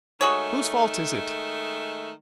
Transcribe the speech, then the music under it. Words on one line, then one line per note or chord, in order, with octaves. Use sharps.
Whose fault is it?
D#3 G#3 A3 F#4 G#4 C#5